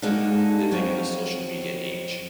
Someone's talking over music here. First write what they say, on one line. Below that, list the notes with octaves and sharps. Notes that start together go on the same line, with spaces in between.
living in the social media age,
G#3 A#3 D4 D#4 F#4 A4
F2 F#3 C#5 G5